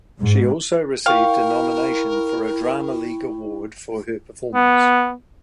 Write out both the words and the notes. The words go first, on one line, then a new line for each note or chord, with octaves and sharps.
She also received a nomination for a Drama League Award for her performance.
G#2
E4 A#4 F5 G5 C#6
B3